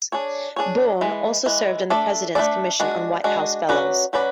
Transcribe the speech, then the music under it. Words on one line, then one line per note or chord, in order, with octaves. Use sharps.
Bourne also served on the President's Commission on White House Fellows.
D4 G#4 C#5
D4 G#4 C#5
E3 G#3
E3 G#3
A3 D4 A4 D5
A3 D4 A4 D5
G#3 D4 F#4
G#3 D4 F#4
F#3 C#4 F#4 B4 D5
F#3 C#4 F#4 B4 D5